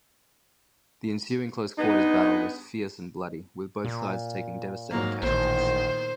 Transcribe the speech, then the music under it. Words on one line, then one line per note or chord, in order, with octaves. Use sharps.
The ensuing close-quarters battle was fierce and bloody, with both sides taking devastating casualties.
G2 G#3 B3 D#4
A#2
G#2 F#3 A#3
A1 A#2 D#3 C5